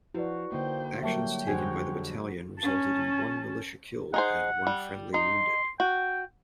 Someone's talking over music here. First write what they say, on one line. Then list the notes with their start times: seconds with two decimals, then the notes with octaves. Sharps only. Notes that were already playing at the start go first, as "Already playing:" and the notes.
Actions taken by the battalion resulted in one militia killed and one friendly wounded.
0.14 F3 E4 F#4 B4 D5
0.52 D3 A#3 D#4 C5 G5
1.03 F#3 G3 A#3 E4 E5 G5 A5 C#6
1.47 F2 D3 G3 F#4 G#4 C5 G#5 G#6
2.59 C#4 A5
4.14 D#4 G#4 C5 F#5
4.67 G3
5.14 D#4 C6
5.80 F#4 G5